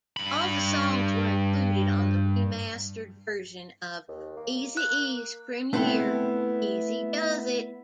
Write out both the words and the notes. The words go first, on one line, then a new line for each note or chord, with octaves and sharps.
All the songs were included on the remastered version of Eazy-E's premiere, "Eazy-Duz-It".
G2 B5
D#2
A#3
F#6
A3 B3 C4 E4 A4 B4